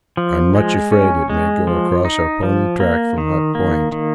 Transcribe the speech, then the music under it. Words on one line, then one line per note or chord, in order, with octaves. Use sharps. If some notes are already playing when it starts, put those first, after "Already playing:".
I'm much afraid it may go across our pony track from Hut Point.
F3
G#3
C#4
G#3
F3
D#4
F3
A#3
D#3
A#3
D#3